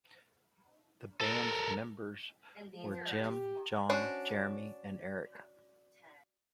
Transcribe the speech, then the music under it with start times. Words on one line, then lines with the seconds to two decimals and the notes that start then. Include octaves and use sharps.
The band's members were Jim, John, Jeremy, and Eric.
1.21 A4 A#4
2.74 F3
3.20 G4
3.90 C#4 D4 F#4 C5